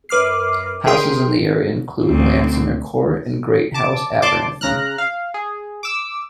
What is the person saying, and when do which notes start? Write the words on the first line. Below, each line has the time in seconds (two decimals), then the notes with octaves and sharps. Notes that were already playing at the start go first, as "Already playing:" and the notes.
Houses in the area include Llansannor Court and Great House, Aberthin.
0.09 F#2 B4 D6 F6 C7
0.86 G4 G#4 A#4 G5 C6 D#6
2.06 D2 C4
3.74 A5 D6
4.22 D5 A5 C6 D6
4.61 C#3 A#5 F6 F#6
4.98 F5
5.34 G#4
5.83 D6 E6